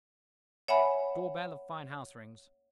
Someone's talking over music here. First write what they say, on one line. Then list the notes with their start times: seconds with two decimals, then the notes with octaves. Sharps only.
Door-bell of fine house rings.
0.68 C#5 E5 F#5 G#5 B5